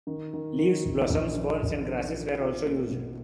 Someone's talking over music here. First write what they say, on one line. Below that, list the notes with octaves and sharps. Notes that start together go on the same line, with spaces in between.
Leaves, blossoms, ferns, and grasses were also used.
D#3
D#3
D#3
A#1
A#1
D#3
A#1
D#3
F4
F4
A#3
B2